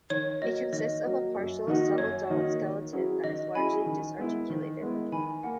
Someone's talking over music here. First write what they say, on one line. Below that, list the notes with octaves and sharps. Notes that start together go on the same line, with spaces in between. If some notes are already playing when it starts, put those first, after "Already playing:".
It consists of a partial, sub-adult, skeleton that is largely disarticulated.
D#3 C#5
F#3 A#3 D#5
D#3 D#5
F#3 A#3
F#2
D#3 A#3 D#4 F#4
F#2 C#5
D#3 A#3 D#4 F#4
D#3
F#3 C#4 E4 G#4
D#3 D#5
F#3 C#4 E4 G#4 G#5 B5
D#3
G#3 B3 E4
D#3
G#3 B3 E4
D#3 G#5 B5
A#3 F#5